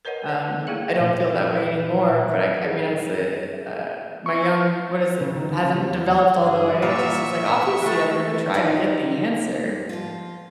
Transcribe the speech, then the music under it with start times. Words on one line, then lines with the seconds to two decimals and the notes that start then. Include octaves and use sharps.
Um, I don't feel that way anymore, but I g I mean, as a, uh, my young what is it hasn't developed all the way. It just was like, "Obviously, I'm gonna try to get the answer."
0.05 A#4 B4 C#5 D#5 F#5
0.29 C#5
0.67 A3 A#3 E4 G#4 F5
1.00 A#2
2.64 G#4
4.26 C#6
5.21 C#3
5.36 D#3
5.49 D2
5.64 C#3
5.76 G3
5.90 E2
6.34 G2 D3 G#4
6.82 A#2 E5 F#5 A#5 C#6 E6
7.82 G#3 A3
8.54 D#4 F4 G4 D5 D#5
9.89 F3 F4